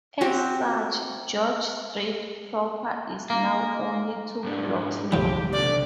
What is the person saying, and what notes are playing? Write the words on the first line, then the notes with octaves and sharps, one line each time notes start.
As such, George Street proper is now only two blocks long.
C4 F#4 G4
A#3
G#2 D4
B1 E2 A2 C#3 E3 G4
D2 C3 A3 D5